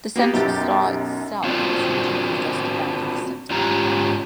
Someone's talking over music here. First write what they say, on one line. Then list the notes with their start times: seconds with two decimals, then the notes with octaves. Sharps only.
The central star itself is hidden in the dusty band at the center.
0.16 A#3 B3 F#4 G4
0.34 B1 F#2 G4 A6
1.44 C4 D4 F4 F#4 C5
3.50 G#2 C#4 F4 G4 A#5